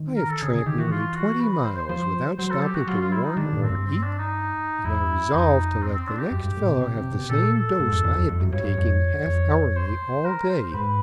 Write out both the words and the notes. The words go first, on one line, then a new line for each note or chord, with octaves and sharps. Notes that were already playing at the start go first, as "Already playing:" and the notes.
I have tramped nearly twenty miles without stopping to warm or eat; and I resolved to let the next fellow have the same dose I have been taking half-hourly all day.
Already playing: D#3
A#4
A4
C#3 G#4
C#3 G#4
D#3 G4
E3 F#4
F4
F#4
B4
B4
C5
C5
F3 C5
F#3 C5
A4
G4
F#4
F#3 F4
F4
E4
D#4
D#3 D4
A2
C4
G2
C4
D4
D#4
E2 E4
F2 D#4
C4
C4
D4
G4
F#2
G2
A2
B2
C3
C3
B2
A#2 A4
A4
G#2
F2
E2
F2
F2
F#2
G2 C#5
G2
F2
F2
C5
A#4
C5
G#2 B4